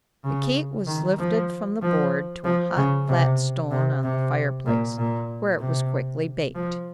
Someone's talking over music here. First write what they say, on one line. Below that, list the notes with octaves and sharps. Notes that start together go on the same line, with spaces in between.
The cake was lifted from the board to a hot flat stone on the fireplace, where it was quickly baked.
C#3
D#3
F3
F3
F3
C#3
C3
C3
C3
A#2
A#2
C3
F3